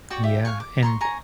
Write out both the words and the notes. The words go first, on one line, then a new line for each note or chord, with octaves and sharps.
Yeah, and
F#4 D5 G5 C#6
F4 G4 E5
F5 G#5 C#6
D6
A#5 C6 C#6
G#5 A#5 C#6